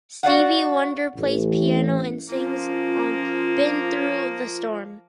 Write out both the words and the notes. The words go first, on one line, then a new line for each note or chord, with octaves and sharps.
Stevie Wonder plays piano and sings on "Been Through the Storm".
F#4 D5 F5 F#5
A1
F3 A#3 C#4 F4